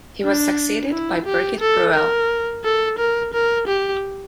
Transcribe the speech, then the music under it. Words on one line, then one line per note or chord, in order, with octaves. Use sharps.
He was succeeded by Birgit Breuel.
D4
E4
G4
A4
A#4
A4
A#4
A#4
G4